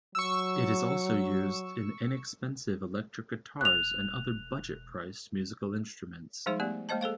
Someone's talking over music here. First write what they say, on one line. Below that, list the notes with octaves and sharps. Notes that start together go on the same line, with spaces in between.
It is also used in inexpensive electric guitars and other budget priced musical instruments.
F#3 C#6 E6
E1 F#6 F7
F3 G3 G#3 D#4 G#4 C5
A3 B3 G4 D5
G#3 A#3 C5 D#5 A5
G#4 A4 C5 F5